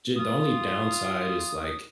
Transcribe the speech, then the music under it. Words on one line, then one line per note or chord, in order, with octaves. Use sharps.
ju The only downside is, like
F4 D#6